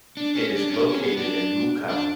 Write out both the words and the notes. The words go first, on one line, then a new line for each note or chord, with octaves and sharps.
It is located in Mulkow.
D4
C#4
D4
C#4
D4
C#4
B3
D4
D4